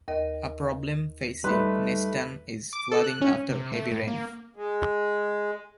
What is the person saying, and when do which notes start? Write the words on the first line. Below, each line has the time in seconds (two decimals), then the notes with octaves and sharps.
A problem facing Nesttun is flooding after heavy rain.
0.08 D#2 A#4 D#5
1.44 G3 A3 D#4 B4 C6 F#6
2.73 D6
2.92 A4
3.04 F#6
3.22 C#4
3.49 C3
3.72 A3
3.91 A2
4.07 A#3
4.56 G#3